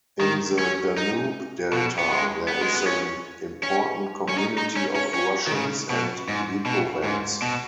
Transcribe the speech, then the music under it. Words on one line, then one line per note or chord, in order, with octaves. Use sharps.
In the Danube Delta there is an important community of Russians and Lipovans.
D#3
C#4
D#4
B2
B3
G#3
B3
G#3
B3
C#4
C#4
C#4
D#4
D#4
C#4
C#4
C#4
D#3
C#3
B2
G#2
B2
G#2
B2